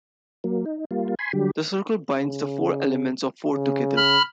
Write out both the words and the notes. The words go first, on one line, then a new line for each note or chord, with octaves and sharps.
The circle binds the four elements of four together.
F#3 A#3
D#4
G3 A#3 F4
G#5 B5 C6
D3 F#3 G3 G4
C#3
C#3
B5 F6